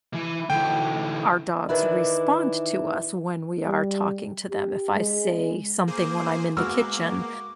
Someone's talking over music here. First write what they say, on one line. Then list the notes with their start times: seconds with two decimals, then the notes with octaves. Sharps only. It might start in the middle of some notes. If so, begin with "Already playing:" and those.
our dogs respond to us when we are talking to them. If I say something when I'm in the kitchen,
0.14 E3
0.50 D3 E3 G5
1.69 D#3 E3 D4 E4
3.66 G3
4.50 G4
4.95 G#3
5.87 A#3 G#4 C5 D6
6.57 G#3 A#3 B3 F#4 D6 E6 F6